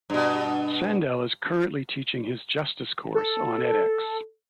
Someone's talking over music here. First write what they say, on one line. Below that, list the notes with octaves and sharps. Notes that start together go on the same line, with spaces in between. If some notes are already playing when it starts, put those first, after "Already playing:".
Sandel is currently teaching his Justice course on edX.
G2 B2
A4